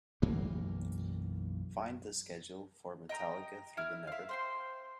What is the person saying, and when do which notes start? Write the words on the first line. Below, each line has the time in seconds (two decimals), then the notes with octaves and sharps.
Find the schedule for Metallica Through the Never.
0.22 B1 F#2 E3 A#3
3.09 D#5 G5 A#5 D#6
3.77 E4 F6
4.07 E5 F5
4.29 C5 G5 C6